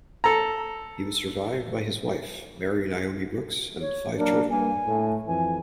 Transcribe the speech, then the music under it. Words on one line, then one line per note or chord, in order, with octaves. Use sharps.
He was survived by his wife, Mary Naomi Brooks, and five children.
A4 A#5
C#5
F#3 A#3 D4 A#4
G2 A#3 G#5
A2
F2 E3 G#5